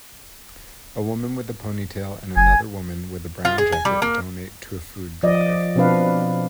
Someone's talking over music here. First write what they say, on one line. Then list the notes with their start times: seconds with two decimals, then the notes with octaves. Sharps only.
A woman with a ponytail and another woman with a brown jacket donate to a food drive.
2.36 F#1 G#5
3.45 F4
3.58 G#4
3.72 G#5
3.85 G3
4.02 A#3
5.23 F3 D5 D#5
5.76 B2 F3 C4 D4 B4 F5